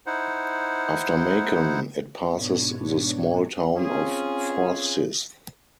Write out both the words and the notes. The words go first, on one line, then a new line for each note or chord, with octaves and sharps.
After Macon it passes the small town of Forsyth.
D#4 E4 C5 F#5
G#2 B2 B3 D4 C#5
C4 C#4 F4 G#4